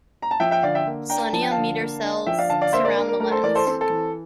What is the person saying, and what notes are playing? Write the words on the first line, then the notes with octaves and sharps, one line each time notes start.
Selenium meter cells surround the lens.
A#5
A5
F3 E5 G5
E5 G5
D3 D5 F5
E5 G5
A#3
D4 G5 A#5
F3 A5
G5
F5 A5
D3
A#3
D4
F3 E5 G5
D5 F5
D3 F5 A5
D5 F5
A#3 C5 E5
A#4 D5
D4 A#4
A#4
A3 A#4
A4 C5
E3 A#4 D5
A4 C5
C4 A4
A4
E3